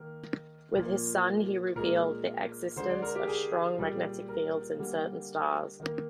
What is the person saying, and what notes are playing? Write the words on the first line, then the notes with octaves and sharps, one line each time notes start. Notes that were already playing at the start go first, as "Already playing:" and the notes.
With his son he revealed the existence of strong magnetic fields in certain stars.
Already playing: D#3 A#3 A#4
A#2 F3 A#3
A#2 G#3 A#4
D3 G#3 C5
D5
A#4
G4
G#4
A#2 G3 A#3
A#4
D3 G3 A#3
D#3 A#3